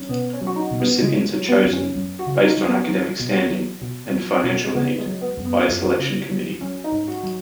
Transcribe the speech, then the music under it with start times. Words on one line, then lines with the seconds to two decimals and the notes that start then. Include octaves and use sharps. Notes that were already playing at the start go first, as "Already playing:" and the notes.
Recipients are chosen, based on academic standing and financial need, by a selection committee.
Already playing: F#3 C#4
0.09 B2 B3
0.33 C#4
0.41 F#3
0.47 F#4
0.56 D#4
0.71 B2
0.80 B3
1.02 C#3 G#3
1.34 F#3
1.49 B3
1.65 F#2
1.73 C#4
1.96 F#2
2.19 F#4
2.27 C#3
2.42 D#4
2.58 F#3
2.66 B3
2.89 F#3
3.19 B2
3.51 F#3
3.82 B2
4.13 F#3
4.44 B2
4.64 G#3
4.75 C#3 B3
4.98 G#3
5.06 F#3
5.22 B3
5.37 F#2
5.45 B3
5.69 F#2
5.99 C#3
6.30 F#3
6.61 F#3 C#4
6.84 D#4
6.92 G#2
7.08 F#4
7.23 F#3